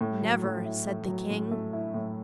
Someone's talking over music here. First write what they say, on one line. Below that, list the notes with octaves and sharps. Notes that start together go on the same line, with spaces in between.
"Never!" said the King.
A2
F#3
A2
E4
A3
F#3
A2
A3
E4
A2